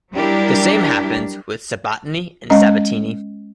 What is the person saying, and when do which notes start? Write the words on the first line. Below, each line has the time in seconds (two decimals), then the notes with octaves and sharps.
The same happens with Sabattini and Sabatini.
0.14 F#3 G3 D4 E4 G4 A#4
2.50 G#3 C#4 D#5 A#5